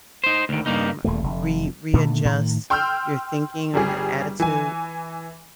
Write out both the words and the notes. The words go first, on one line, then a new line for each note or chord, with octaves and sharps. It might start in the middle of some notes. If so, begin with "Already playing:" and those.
um, re readjust your thinking or your attitude.
D#4 C5
D2 D#3
G2 A#3 D#4
D#1 E2 A#2 A3
F1
A#2 D3 D#3 A3
A2 D#3
G5 C6 E6 F6 G6
G1 G3 G#4
E3 G#5